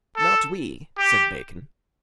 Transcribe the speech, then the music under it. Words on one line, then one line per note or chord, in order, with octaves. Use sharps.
"Not we," said Bacon.
A4
G4